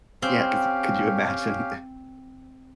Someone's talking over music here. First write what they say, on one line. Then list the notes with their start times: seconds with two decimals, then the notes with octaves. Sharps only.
Yeah, 'cause could you imagine
0.22 C4 C#4 G4 F5